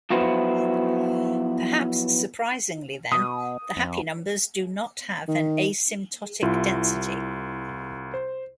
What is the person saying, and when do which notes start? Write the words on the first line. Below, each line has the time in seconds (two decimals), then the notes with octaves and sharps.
Perhaps surprisingly, then, the happy numbers do not have an asymptotic density.
0.10 F3 F#3 B3 E4 F#4 C5
3.12 B2 D#6
3.77 F2
5.28 D#3
6.43 C2 E4 F4
8.14 C5